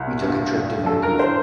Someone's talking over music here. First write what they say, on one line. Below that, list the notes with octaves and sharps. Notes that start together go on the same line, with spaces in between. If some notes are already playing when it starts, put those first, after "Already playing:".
We took a trip to Vancouver.
Already playing: C2
G2
G2
G2 A4
A#4
C5